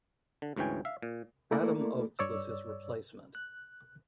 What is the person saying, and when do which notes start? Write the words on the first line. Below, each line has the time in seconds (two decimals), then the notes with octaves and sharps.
Adam Oates was his replacement.
0.42 D3
0.56 D2 G#2 E3 C#4 G5 G#5
0.85 E5 F5
1.02 A#2
1.51 A3 A#3 E4 A4 A#4 D5
2.19 G2 C#5 D5 E6
3.35 F#6